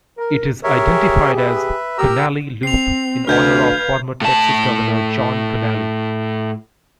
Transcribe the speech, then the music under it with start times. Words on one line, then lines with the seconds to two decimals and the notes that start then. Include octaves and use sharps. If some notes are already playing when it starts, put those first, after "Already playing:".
It is identified as Connally Loop in honor of former Texas governor John Connally.
0.18 A#4
0.64 G4 G#4 A#4 C#5 E5
1.37 B4 E5
1.98 G4 A#4 A#5 E6
2.63 C4 C7 F7
3.27 D2 B4 F5 F6 G6 G#6
4.21 A2 A5